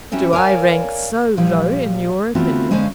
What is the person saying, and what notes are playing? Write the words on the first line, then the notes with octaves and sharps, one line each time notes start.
'Do I rank so low in your opinion?'
F#3 C4 C#4 E4 F#4
A#4 C#5 D5 F5 G#5 A5
A#2 F3 G3
E3 A3 B3 C4 F4 F#4
D3 G#3 C#4 C5 F5